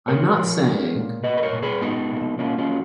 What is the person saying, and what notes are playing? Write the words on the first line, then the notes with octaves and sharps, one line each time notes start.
I’m not saying...
A#2 A#4 C#5
F3
G#3
A#2
A#2 B4 D#5
B4
A#4 C#5
A#2
G#4 B4
G#3 B3 D#4
A#2
A#3 C#4 F4
C#4 F4
F#3